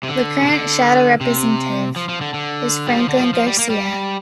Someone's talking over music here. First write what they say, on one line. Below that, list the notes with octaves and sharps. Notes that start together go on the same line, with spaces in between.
The current shadow representative is Franklin Garcia.
C3
D3
C3
D3
C3
F3
F3
D3
D3
G3
F3
D3
G3
F3
F3
G3
A#3
G3